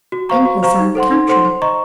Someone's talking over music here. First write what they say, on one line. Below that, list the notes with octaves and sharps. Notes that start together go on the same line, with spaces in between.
"In his own country."
F#4
C5 F5 A#5 C#6
F#4
C5 F5 A#5 C#6
D#4
A4 C5 F#5 C6
D#4
A4 C5 F#5 C6
C5
D#5 A#5 C#6